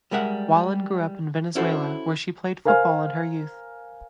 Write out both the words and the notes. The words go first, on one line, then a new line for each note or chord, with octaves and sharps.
Wallen grew up in Venezuela where she played football in her youth.
G3 G#3 A#4 E5 F#5
C#4 E4 F#4 A4 C5
A#4 C5 F5 G#5 F6